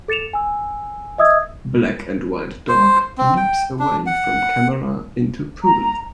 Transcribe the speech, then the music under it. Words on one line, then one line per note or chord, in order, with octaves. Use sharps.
Black and white dog leaps away from camera into pool.
A4 A6 C#7 E7 F7
G#5 E6
D#5 E5 D#6 E6 G#6
C5
C4
G5
D4
F#5
A#5